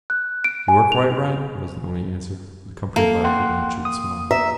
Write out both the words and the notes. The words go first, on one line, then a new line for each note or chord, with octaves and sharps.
"You are quite right," was the only answer, accompanied by a good-natured smile.
F#6
D7
G#5
F7
A#3 A4
F#5 G5 C6
D#6
E5 A#5